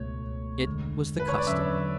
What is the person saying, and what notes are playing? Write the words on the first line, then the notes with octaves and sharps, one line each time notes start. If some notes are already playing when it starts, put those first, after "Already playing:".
It was the custom.
Already playing: C#2 B2 A3 C#5
E2 D3 G#3
B4
C#5
D5
E2 D3 F#3 C#4 E5